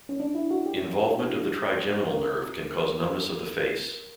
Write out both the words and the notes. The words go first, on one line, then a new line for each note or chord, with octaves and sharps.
Involvement of the trigeminal nerve can cause numbness of the face.
C#4
D4
E4
F#4
G4
A#4